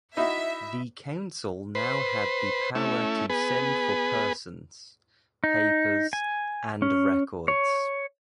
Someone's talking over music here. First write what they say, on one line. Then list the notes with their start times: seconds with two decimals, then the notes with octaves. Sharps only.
The Council now had the "power to send for persons, papers, and records".
0.17 D#4 E4 F#4 E5
1.75 B4 C5
2.75 A3 C#4 E4
3.30 B3 G#4 B4
5.44 D#4
6.13 G#5
6.82 C#4
7.48 C#5